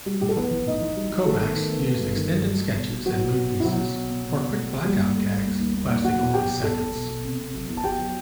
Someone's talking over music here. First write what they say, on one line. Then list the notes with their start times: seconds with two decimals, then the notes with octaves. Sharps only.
Kovacs used extended sketches and mood pieces or quick blackout gags lasting only seconds.
0.06 G3
0.21 A2 G4
0.29 A4
0.36 E3 B3 B4
0.51 E3
0.66 A2 D#4 D#5
0.81 E3
0.96 G3
1.11 G3
1.26 D#3 A3 A4
1.41 B3
1.55 D#3
1.72 B3
1.86 B3
2.01 G2
2.16 D#3
2.31 G2
2.46 G3
2.61 G3
2.76 B2
2.90 B2
3.06 F#3 B3 F#4
3.20 B3
3.35 B2
3.50 B2
3.60 E4
3.65 B2 F#3 F#4
3.80 B2
3.96 B2
4.10 B2
4.25 B2
4.40 B2
4.55 A3
4.70 A3
4.84 D#2 G3 G4
5.01 D#2
5.15 A3
5.30 A3
5.45 D#2
5.59 D#2
5.75 D#2
5.90 D#2
6.04 F#3 F#4 F#5
6.19 E2
6.34 F#3 G4 G5
6.50 B2
6.64 E2 A4 A5
6.79 E2
6.94 B2
7.09 B2
7.25 C3
7.39 C3
7.54 F#3
7.69 E2
7.77 A5
7.83 E2 G4 G5
7.99 F#3